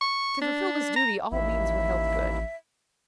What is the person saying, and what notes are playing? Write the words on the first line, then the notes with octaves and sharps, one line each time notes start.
To fulfil this duty all means were held good.
C#6
D4
A#5
A1 D#2 E4 E5